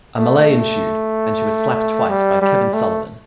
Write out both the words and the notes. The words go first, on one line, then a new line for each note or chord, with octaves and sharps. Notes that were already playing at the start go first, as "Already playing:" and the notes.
A melee ensued and she was slapped twice by Kevin Sullivan.
A3
A3
G3
G3
A3